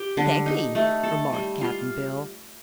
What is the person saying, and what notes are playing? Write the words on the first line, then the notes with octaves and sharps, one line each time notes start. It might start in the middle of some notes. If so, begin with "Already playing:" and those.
"Thank'e," remarked Cap'n Bill.
Already playing: G4
D3
D#4
A3
A4
G3
F4